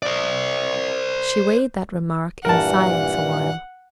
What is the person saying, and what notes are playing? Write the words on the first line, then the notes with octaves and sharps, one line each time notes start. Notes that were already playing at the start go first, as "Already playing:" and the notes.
She weighed that remark in silence a while.
C5 D5
G2 A#2 E3 A#4 F#5 A5